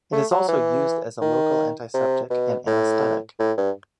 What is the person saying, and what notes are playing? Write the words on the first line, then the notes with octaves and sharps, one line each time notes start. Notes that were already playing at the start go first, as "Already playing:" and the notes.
It is also used as a local antiseptic and anaesthetic.
A3
F#3
E3
D#3
C3
B2
A2
A2
G2